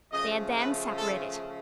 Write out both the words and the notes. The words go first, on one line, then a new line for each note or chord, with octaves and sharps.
They had then separated.
C#3 F3 A3 D#5
B4
A4